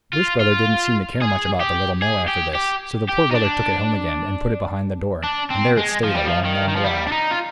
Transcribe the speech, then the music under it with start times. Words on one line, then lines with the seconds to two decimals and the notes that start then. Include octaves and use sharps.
The Rich Brother didn't seem to care much about the Little Mill after this, so the Poor Brother took it home again and put it behind the door; and there it stayed a long, long while.
0.13 F4
0.40 F4
1.21 G#4
1.61 G4
2.02 G#4
2.28 G4
2.55 G4
3.09 G4
3.31 D#4
3.35 D4
5.24 D4
5.50 C4
5.77 G#3
6.04 F3
6.15 G3
6.25 F3
6.44 D#3
6.69 D#3
6.76 F3
6.84 G3
7.07 D4
7.12 D#4
7.31 F4